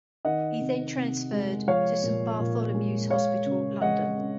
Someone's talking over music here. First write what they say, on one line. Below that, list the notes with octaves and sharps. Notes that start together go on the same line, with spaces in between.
He then transferred to Saint Bartholomew's Hospital, London.
D#3 D#5 F#5
C3
C3
G#3
F3 C#5 F5
A#2
A#2
G#3
G#3 C#5 F5
C#3
G#3 D#5 F#5
C#3